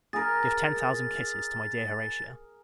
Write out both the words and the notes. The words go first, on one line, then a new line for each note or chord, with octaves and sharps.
Give ten thousand kisses to my dear Horatia.
G#4 A#4 A6